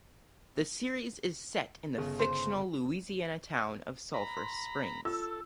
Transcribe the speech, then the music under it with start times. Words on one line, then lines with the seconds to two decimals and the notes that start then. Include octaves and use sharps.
The series is set in the fictional Louisiana town of Sulphur Springs.
1.98 G1 C#3
2.19 C5
4.14 A#5 B5
4.37 C6
5.05 F4 A4 E6